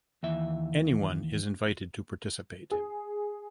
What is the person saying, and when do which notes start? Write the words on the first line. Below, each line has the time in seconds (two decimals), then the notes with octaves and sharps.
Anyone is invited to participate.
0.23 D#2 E3 E5
2.71 G#4